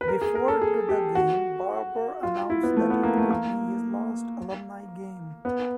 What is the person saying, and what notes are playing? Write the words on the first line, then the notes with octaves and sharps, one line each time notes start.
Before to the game Barber announced that it would be his last alumni game.
B4
A#4
G#4
A#4
A4
G#4
G4
F#4
F4
E4
B3
A3
B3
A#3
A3
A#3
B3